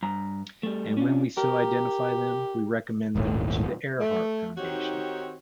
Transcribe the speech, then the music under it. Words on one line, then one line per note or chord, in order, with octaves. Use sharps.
And when we so identify them, we recommend them to the Earhart Foundation.
G2 A#5
G3 A3
C#4 D4 F4
G4 A#4
D#1 G#1 D#2 A2
A3
D#3 C4 D#4 F#4 G4 C#5